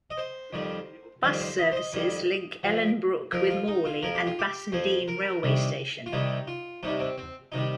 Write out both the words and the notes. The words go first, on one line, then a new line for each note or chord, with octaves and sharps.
Bus services link Ellenbrook with Morley and Bassendean railway station.
D#5
C5
F2 D#3 G3
F2 D#3 G3 C5
C5
D#5
C5
D#5
F2 D#3 G3
F2 F3
F2 F3 A#4
F4
D#4
F4
F2 F3 A#4
G4
F4
G4
F2 F3 C5
A#4
C2 C3 D#3 G3
F4
C2 C3 D#3 G3 D#4
F4
C2 C3 D#3 G3 D#4
C4
C4
C3 D#3 G3 D#4